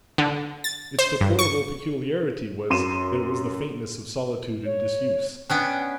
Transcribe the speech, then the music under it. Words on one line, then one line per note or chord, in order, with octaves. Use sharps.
Its deplorable peculiarity was, that it was the faintness of solitude and disuse.
D3
A6
C5
G2
C#6
F#2 C6 D#7 E7
C#5
B3 C#4 D4 G5